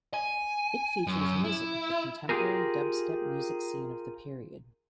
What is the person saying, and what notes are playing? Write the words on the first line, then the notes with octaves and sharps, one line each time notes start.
It features music of the contemporary dubstep music scene of the period.
G#5
F#2
E4
F4 G4 G#4 A#4